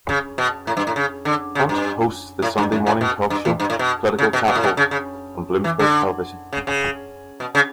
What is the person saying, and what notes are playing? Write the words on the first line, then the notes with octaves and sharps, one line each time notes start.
Hunt hosts the Sunday morning talk show "Political Capital" on Bloomberg Television.
C#3
B2
A2
G2
A2
C#3
D3
C#3
G2
A2
G2
F#2
A2
B2
G2
E2
G2
A2
B2
C#3
B2
B2
A2
B2
C#3
C#3
E3
D3
C#3
C#3
B2
C#3